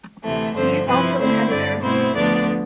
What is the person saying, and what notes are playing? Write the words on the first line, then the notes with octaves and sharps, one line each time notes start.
He is also an editor.
D2 C3 E3 A3
G2 D3 F3 A3 C4 C5
C3 F3 C4 E4 B4
D3 A3 C4 E4 C5
G2 D3 G3 D5
B2 A3 C4 E4 C5
D2 D3 F3 B3 D4 D5